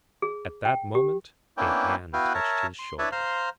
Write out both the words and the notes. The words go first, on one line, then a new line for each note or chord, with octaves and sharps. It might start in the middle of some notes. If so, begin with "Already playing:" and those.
At that moment a hand touched his shoulder.
G#4
G5
G4
A#3 B3 C#4 D4 E4 G5
B3 E4 F#4 B4 F5 G5
A#4 C#5 E5 A5
C6
D4 E4 B4 C#5 E5 A5
C5 F5 A#5 C6